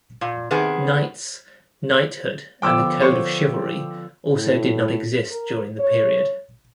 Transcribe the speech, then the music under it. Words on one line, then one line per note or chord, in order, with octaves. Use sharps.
Knights, knighthood and the code of chivalry also did not exist during the period.
A#2
C3 D#3 B3 G#4
D3 F3 B3 G5 D6 E6
C5 C#5
A2
A#4
C#5